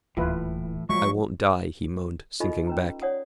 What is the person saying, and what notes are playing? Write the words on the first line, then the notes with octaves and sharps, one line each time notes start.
"I won't die," he moaned, sinking back.
D#1 D2 A2 E3 E4 F4 B4
A2 F3 F#3 G#3 A#3 E5 C#6
D#4 F4 A4 D#5 B5 C#6
C#4 B4 A#5
C#5 D5 F#5 D#6